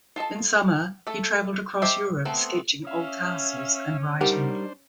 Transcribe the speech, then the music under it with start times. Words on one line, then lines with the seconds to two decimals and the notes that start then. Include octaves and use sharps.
In summer, he traveled across Europe sketching old castles and writing.
0.16 F4 A4 D#5 A5
1.07 A3 A4
1.82 G4 C5 D#5 E5 A5
2.25 F3 A3 B3 C4
2.87 C#4 E5 F5
4.21 G3 D4 D#4 G4 A#4 C5 F#5